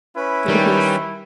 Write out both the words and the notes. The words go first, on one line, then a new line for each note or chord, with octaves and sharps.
Dirty Face!
C#4 E4 B4
D#3 G3